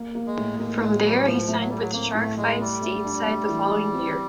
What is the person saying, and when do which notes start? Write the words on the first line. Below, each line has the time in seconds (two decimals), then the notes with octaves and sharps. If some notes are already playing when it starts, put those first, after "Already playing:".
From there, he signed with Shark Fights stateside the following year.
Already playing: A#3
0.15 A#3
0.27 G#3
0.38 A2
0.59 G#3 A#3
0.81 A2 G#3
1.03 F#3 G3
1.26 A2 F3
1.48 A3
1.60 F#3
1.69 G3 A3
1.81 F#3
1.93 A#3 C4
2.15 A2 A3
2.37 G#3 A3
2.59 G3 A3
2.82 A3
3.05 D4
3.26 A3
3.49 E3
3.70 E3
3.93 C4